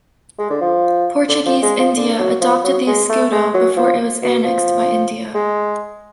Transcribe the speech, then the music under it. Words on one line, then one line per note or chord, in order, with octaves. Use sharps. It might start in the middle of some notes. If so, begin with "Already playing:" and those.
Portuguese India adopted the escudo before it was annexed by India.
G#3
D3
F3
D3
F3
G#3
F3
D3
F#3
F3
F#3
G#3
A3
G#3
F#3
F3
B2
F3
G#3